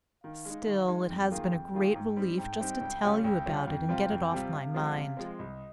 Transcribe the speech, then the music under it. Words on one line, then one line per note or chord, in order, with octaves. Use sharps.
Still, it has been a great relief just to tell you about it and get it off my mind.
D#3 F5
G#3
D#4
D#3
G#3 D#4
F2 G5
D#3 A#3 F4 G#4
F2
D#3 A#3 F4 G#4
G#2
G3 C4 D#4
G#2 G5
G3 C4 D#4
C#2
C#3 G3 C#4 F4
C#2 G5
C#3 G3 C#4 F4
F2 G5
C3 G3 C4 F4
F2
C3 G3 C4 F4
C3 F5
F3 G#3 C4
C3
F3 G#3 C4
C2 D#5